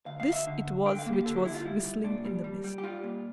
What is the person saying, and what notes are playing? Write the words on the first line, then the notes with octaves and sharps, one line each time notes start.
This it was which was whistling in the mist.
D2 F5
F5
D2
E5
D3
D2
D3 G5
F5
A#3
G4
D3 A4
G4
D2 E4
F4
G3 E4
C2
A#2 D4
G3
G3
G3
G4
G3 F4
A#2